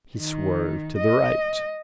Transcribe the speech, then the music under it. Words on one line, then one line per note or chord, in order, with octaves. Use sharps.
He swerved to the right.
D#3
D#5